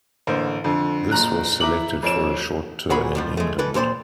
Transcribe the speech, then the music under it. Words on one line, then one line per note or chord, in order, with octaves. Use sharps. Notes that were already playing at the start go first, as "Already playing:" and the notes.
This was selected for a short tour in England.
A1 D3 A#3 C5
F2 D3
F#1 A#2 A#5 F#6
E4 A#5 D6 F#7
F2 C#5 D7 E7
A#2 F#4 G#4 A#4 B5
F2 A2 F3
G#3 A3
E3 A4 B4
F2 A#2 C5 D5 C6